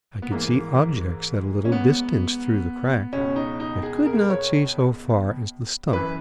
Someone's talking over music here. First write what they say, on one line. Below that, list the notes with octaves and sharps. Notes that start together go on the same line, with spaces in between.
I could see objects at a little distance through the crack, but could not see so far as the stump.
B3
G#2 E3 A#3
C#4
B3
C#2 B2 C#4
D#4
D#4
G#4
A#4
G#4
A#4
C#5
F#2 E3 B4